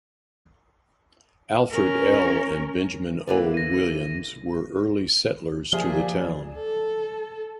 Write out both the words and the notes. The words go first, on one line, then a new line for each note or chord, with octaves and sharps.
Alfred L. and Benjamin O. Williams were early settlers to the town.
C#4 A#4
D3 E3 A#3
A#6 D#7
A#2 F3 G4 G#4 D5 E5 G#5
A4